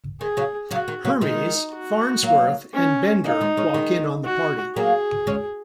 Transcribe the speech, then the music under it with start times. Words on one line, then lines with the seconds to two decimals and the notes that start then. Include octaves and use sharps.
Hermes, Farnsworth, and Bender walk in on the party.
0.21 D#3 G#4
0.37 C#3 F#3
0.71 C#3 F#3 F#4
0.88 D#3
1.05 C#3 F#3
1.21 D#3 G#3 D#4
1.72 F#4
2.23 F#3 A#3
2.74 C#4
3.24 F#3 A#3 D#4
3.40 D#3 G#3
3.57 G#3 C#4
3.74 D#3 G#3
4.25 F#4
4.76 F#3 A#3 G#4
5.27 G#3 C#4